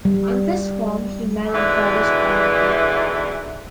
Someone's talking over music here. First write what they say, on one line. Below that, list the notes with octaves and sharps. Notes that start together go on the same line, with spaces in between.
In this form he married goddess Parvati.
G3
G#2 B2 D3 E3